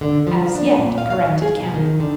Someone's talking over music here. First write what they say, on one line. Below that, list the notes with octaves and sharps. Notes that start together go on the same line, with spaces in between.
"As yet," corrected Kemp.
D3
F3
D4
A#2
F5
F5
D#3
G#4
B2
D#3
D3